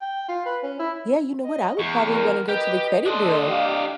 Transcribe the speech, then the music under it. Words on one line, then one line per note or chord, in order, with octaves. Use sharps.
yeah, you know what? I would probably wanna go to the credit bureau,
G5
F4
B4
C#4
E4
D#5
E2 C#6
A#4
G4 B4 D#5
D4 A4 D#5 C6
G4 F5